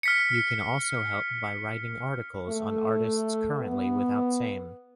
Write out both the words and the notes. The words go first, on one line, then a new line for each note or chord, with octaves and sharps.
You can also help by writing articles on artists currently without same.
F6 B6 C#7
A3
B3